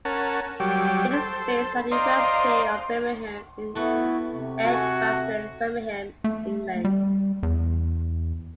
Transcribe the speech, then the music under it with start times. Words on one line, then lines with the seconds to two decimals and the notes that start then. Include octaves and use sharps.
It is based at the University of Birmingham in Edgbaston, Birmingham, England.
0.05 C#4 A#4 F#5 A5
0.60 F#3 G3 G4
1.13 A4 C5
1.92 C5 D5 D#5 F5 A#5 C6
3.75 A3 B3 E4 F#4
4.31 C3
4.64 F#4 A4 G#5
6.24 A3
6.85 G3
7.43 E2